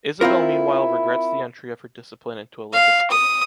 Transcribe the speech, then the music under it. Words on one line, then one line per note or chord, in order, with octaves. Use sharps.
Isabelle meanwhile regrets the entry of her discipline into Olympic sports.
C4 E4 F4 A#4
F5
D#6